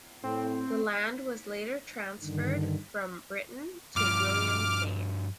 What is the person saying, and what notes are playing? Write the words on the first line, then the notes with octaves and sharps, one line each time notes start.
The land was later transferred from Brittain to William Cain.
A2 C4
G2 D3 D#3
G2 F3 D6 F6